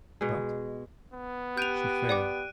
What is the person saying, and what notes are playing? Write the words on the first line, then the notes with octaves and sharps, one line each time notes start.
But she failed.
B2 G#3
B3
G4 F#6 G6 D7 D#7 F7
D5 G5 D6